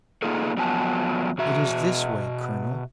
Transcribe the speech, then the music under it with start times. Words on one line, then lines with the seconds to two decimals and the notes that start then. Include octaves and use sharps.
It is this way, colonel.
0.22 A#3 D#4 F4 G#4 A4
0.57 E2 F3 F#3 B3 G#5 A5
1.38 B2 F#4 E5